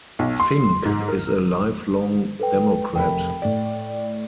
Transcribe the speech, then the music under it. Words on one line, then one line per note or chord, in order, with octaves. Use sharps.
Fink is a lifelong Democrat.
B1
C6
G#2
A#4
A4 B4 G5
F1 A#4 G5 B5
A2 D5